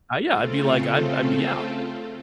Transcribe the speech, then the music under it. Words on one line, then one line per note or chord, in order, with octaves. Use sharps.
Uh, yeah, I'd be like, "I'd I'd be out,"
C#3 A3 C4 F4 A4